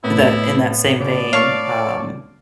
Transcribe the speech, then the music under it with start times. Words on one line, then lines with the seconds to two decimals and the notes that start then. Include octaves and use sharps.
the in that same vein, um,
0.04 A2 B3 E4
1.00 C#3 D5
1.33 C#5 F5 A5 C#6